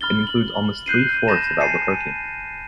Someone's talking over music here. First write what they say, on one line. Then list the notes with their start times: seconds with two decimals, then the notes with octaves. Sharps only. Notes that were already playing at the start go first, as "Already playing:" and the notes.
It includes almost three-fourths of Albuquerque.
0.01 B5 F6 A6 G7
0.27 F#7
0.86 F#6 G6 C7 D#7
1.28 A5 B5 G6 A6 A#6 E7
1.59 G#5 A5 A6 C7 C#7 D#7